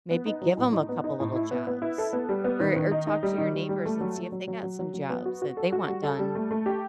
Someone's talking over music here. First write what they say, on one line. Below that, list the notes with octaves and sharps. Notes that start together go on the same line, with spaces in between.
Maybe give him a couple little jobs or or talk to your neighbors and see if they got some jobs that they want done.
B3
D#4
F#3
A2
D#4
B3
D#4
A2
E4
B3
B3
E4
A4
B3
G3
B3
D#3
D#3
D#4
D#4
G3
D#3
G3
G3
A3
F#3
F#3
F#3
F#3
F#3
F#3
F#3
B3
F#4
F#4
A4
F#4
G3
A4
G3
A3
A3
G4